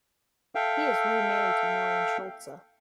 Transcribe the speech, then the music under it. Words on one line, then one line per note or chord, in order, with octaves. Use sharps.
He is remarried to Maureen Schulze.
A4 E5 F5 G5